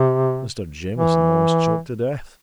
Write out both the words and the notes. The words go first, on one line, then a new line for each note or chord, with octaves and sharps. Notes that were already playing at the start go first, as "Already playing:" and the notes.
Mr. Jamieson almost choked to death.
Already playing: C3
E3